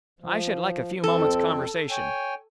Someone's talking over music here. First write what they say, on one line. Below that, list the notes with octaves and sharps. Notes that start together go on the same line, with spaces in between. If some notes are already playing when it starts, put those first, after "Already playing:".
"I should like a few moments' conversation."
F3
F2 C4 A4
C#5 G5 G#5